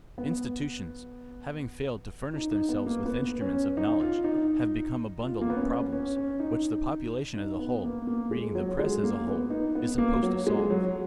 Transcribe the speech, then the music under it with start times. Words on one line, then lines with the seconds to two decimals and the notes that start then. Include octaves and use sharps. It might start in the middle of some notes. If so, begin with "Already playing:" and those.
Institutions, having failed to furnish themselves with instruments of knowledge, have become a bundle of "problems," which the population as a whole, reading the press as a whole, is supposed to solve.
0.18 B3
2.34 D#4
2.51 D#4
2.69 B3
2.86 A#3
3.06 B3
3.41 C#4
3.77 D#4
4.00 F4
4.24 D#4
5.20 F4
5.41 A#3
5.50 B3
5.56 C#4
5.93 C#4
6.16 C#4
6.40 D#4
7.36 D#4
7.59 B3
7.84 A#3
8.07 A#3
8.31 G#3
8.55 F#3
8.79 G#3
9.03 A#3
9.27 B3
9.50 D#4
9.75 B3
9.98 A#3
10.23 F#3
10.47 G#3
10.70 F#3